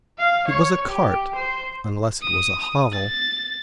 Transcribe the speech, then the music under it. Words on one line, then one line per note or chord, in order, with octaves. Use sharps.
It was a cart, unless it was a hovel.
F5
C#5
G4
C5
D#6
A6